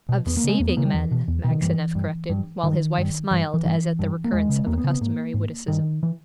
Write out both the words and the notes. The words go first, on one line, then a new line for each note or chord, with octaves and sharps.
'Of saving men,' Maxineff corrected, while his wife smiled as at the recurrence of a customary witticism.
B2
E2 B3
A#3
C#3
G#3
E2 A#3
B3
C#3 A#3
G3
E2 E3
B2
E2
B2
D#3
G2 E3
G2
G2
G2 D#3
G2
G2 E3
E3
G2 E3
G2
A#3
E2 G#3
C#3
E2 A#3
B3
C#3
B3
G#2 A#3
G#2
G2 D#3
E3